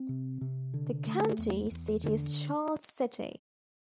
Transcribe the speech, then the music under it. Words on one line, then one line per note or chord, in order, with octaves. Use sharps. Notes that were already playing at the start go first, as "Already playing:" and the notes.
The county seat is Charles City.
Already playing: C4
C3
C3
D3
A3
E2
E2
D3